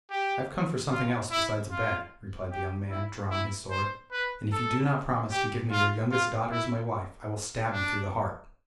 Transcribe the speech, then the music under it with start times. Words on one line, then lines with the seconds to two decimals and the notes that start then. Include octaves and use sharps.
'I have come for something else besides a bed,' replied the young man, drawing his sword, 'and if you do not promise to give me your youngest daughter as my wife I will stab you through the heart.'
0.11 G4
0.91 F4
1.31 E4
1.71 F4
2.51 G4
2.91 E4
3.30 E4
3.71 C5
4.11 B4
4.52 A4
5.31 G4
5.71 F4
6.11 F4
6.52 E4
7.72 D4